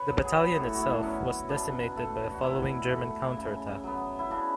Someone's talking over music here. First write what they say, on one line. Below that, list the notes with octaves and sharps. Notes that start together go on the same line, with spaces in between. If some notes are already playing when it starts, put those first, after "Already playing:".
The battalion itself was decimated by a following German counterattack.
Already playing: B4 C#5
F#3 B3
G#4
A2 F#4
F#4
E4
D4
F#3 B3 C#4
B2 D4
A3
F#4
B2 E4
A3
C#3
F#3 B3
E4
C#3 D4